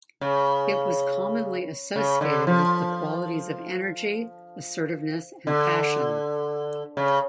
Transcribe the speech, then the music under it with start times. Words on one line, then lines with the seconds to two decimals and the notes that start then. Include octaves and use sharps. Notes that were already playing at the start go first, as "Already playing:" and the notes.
It was commonly associated with the qualities of energy, assertiveness, and passion.
0.21 C#3
1.96 C#3
2.21 D3
2.47 F3
5.47 D3
6.97 C#3